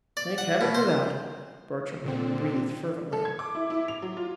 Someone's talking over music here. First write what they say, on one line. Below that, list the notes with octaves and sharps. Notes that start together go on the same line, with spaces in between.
"Thank heaven for that!" Bertram had breathed fervently.
D5
F#5
B2
C5
A#2 D3 C4
A4
G#6
D6
E4
E4
F7
F#3
F4